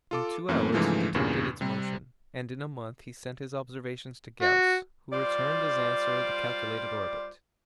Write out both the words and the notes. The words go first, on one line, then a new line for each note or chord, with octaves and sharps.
In two hours he detected its motion, and in a month he sent his observations to Gauss, who returned as answer the calculated orbit.
F4 A4 D6
F#2 E3 A3 A#3 C4
G#2 C#3 E3 F3 G#3 A3
E2 G2 A#2 C#3
C3 G3 C4
F#4
G3 F4 C5 D5